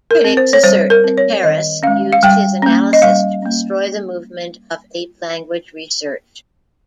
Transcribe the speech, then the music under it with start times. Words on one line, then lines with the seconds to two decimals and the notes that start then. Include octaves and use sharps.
Critics assert that Terrace used his analysis to destroy the movement of ape-language research.
0.11 A#4
0.24 C4
0.37 C5
0.53 C#5
0.63 G3 C5
0.90 A#4
1.04 C4
1.18 C#5
1.43 D#3 D#5
1.83 G#3 C#4 F5
2.13 F5
2.23 G3 G5
2.62 A#3 C#4
2.93 D#5
3.02 G3 F5
3.42 A#3 C#4